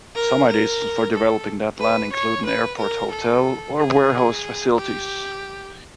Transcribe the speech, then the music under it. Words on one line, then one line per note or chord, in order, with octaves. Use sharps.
Some ideas for developing that land include an airport hotel or warehouse facilities.
A#4
A#4
A4
B4
C#5
B4
A#4
A4
G#4
G4